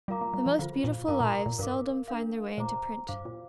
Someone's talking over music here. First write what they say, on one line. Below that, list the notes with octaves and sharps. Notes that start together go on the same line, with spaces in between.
The most beautiful lives seldom find their way into print.
G3 F4 A#4 F5 A#5 D6
A#3
G3
F3
D3 F4 C5 F5
A#2
G2 A#4 F5 A#5 D6
A#2
A#2
G2 A#4 F5 D6
D4 A#4 F5
A#2 C5 A#5 D6
G2 C5 F5 D6
A#2